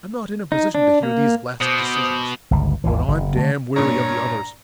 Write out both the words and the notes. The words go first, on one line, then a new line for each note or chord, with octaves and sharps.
I'm not in a position to hear these last decisions, but I'm damn weary of the others.
D#4
D4
A#3
B2 C5 D6 D#6
G1 C#2
G#1 D#2 E3
F#1
D3 A3
G2 A#2 C#5 A#5